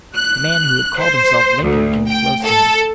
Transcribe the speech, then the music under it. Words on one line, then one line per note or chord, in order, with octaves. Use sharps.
The man who had called himself Lincoln came close to him.
F#6
C5
D2
G5
A4